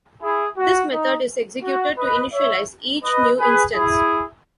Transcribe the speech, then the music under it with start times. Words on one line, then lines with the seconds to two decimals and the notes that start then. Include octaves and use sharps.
This method is executed to initialize each new instance.
0.22 E4 G#4
0.58 F#4
0.92 D#4
1.63 F#4
1.98 B4 D#5
2.34 C#5 E5
3.04 B4 D#5
3.39 G#4 B4
3.74 E4 G#4